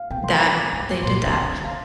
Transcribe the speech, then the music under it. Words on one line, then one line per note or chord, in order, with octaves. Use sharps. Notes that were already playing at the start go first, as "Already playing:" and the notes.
that they did that,
Already playing: F5
C3 G5
C6
A#5
D6
G2
D6
A#2 C6
C3 C6
A#5
D3
F5